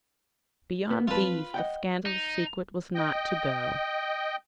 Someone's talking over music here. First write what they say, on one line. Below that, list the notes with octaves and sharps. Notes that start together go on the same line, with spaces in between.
Beyond these the scandalous secret was not to go.
B2 B3
F2 F4 B4 A5
D#5 F#5 G5
D#4
D#5 G5